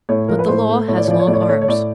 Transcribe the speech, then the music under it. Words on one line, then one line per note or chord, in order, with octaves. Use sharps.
But the law has long arms.
A2 C#5
F3 A#4
B4
A2 C5
A3
A2 C#5
D5
C#5
F3 D5
C#5
A2 D5
C#5
D5
A3 C#5
C#5
A2 D5